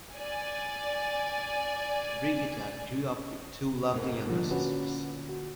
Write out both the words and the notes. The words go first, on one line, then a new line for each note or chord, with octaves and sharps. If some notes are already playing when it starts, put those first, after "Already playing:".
Brigitta grew up with two lovely younger sisters.
D5 G#5
F1 G#2 A#3
A#2 D3 F3 G3
C#4 F#4 B4
F#4